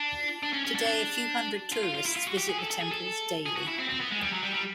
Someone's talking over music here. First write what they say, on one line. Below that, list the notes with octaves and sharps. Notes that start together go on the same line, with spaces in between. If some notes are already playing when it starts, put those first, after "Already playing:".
Today, a few hundred tourists visit the temples daily.
Already playing: D4
D4
C#4
C#4
D4
D4
F4
F4
F4
E4
F4
F#4
G4
G#4
A4
A4
G#4
A4
G#4
F#4
E4
C4
C4
B3
G#3
G3
F#3
G3
G3